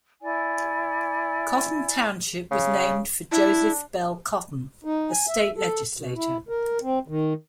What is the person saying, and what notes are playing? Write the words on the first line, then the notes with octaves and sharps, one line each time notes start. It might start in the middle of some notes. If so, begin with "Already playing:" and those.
Cotton Township was named for Joseph Bell Cotton, a state legislator.
E4 D5 G#5
C#3
D4 E4
D#4
G#5
E5
A4
B2
E4
A#4
C4
D#3